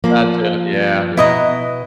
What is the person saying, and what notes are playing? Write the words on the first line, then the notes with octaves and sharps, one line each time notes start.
That too yeah, yeah.
F3 A#3
B2 B3 E4 D#5 A#5